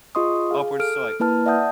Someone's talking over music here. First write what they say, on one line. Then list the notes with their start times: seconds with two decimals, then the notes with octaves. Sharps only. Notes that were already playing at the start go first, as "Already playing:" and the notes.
upwards to, like,
0.15 F4 G#4 D#5 C6 C#6 D#6
0.51 G#4 F5
0.80 A4 F6 D7
1.20 A#3 E4 B4 A5 F6
1.46 D5 E5 F#5 A5 D#6 G6